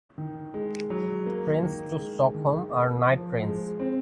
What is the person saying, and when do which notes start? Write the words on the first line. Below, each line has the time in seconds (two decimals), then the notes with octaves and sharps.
Trains to Stockholm are night trains.
0.18 D#3
0.54 G#3
0.90 F#3
1.26 A#3
1.63 D#3
1.99 G#3
2.35 D#3
2.71 A#3
3.07 F3
3.43 G#3
3.80 C4